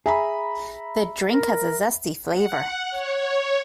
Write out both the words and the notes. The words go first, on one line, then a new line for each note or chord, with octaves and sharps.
The drink has a zesty flavour.
G#4 E5 A#5 B5
A#4
F#5
C#5